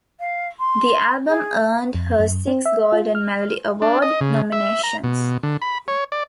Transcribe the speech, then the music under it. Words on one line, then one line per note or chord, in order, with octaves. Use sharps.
The album earned her six Golden Melody Award nominations.
F5
C6
G#4
F2
F#2
C4
E5
F4
F6
D4
D#5
C#3
E5
A#5
B2
D3
B5
C#5
D5